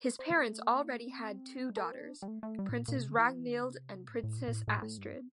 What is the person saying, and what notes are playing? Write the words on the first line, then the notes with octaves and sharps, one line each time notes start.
His parents already had two daughters, Princess Ragnhild and Princess Astrid.
C4
A#3
A3
A#3
C4
G3
A3
A#3
C4
D4
G3
A3
A3
G3
A2
A#2
A#2
C3
D3
E3
F3
E3
D3
C3
A2
A2
A#2
A#2
A2
A2
A2
G2